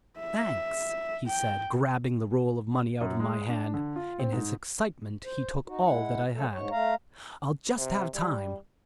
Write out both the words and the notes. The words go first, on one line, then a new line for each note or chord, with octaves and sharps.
"Thanks," he said grabbing the roll of money out of my hand,--in his excitement he took all that I had.--"I'll just have time."
E5
G5
F#2
G#3
D4
D3
F4
C4
G#2
C5
D#4 F#4
G#3 E4 F#5
F#3 A3 A4
G#2 C#5
A3 F5 A#5
C3
G3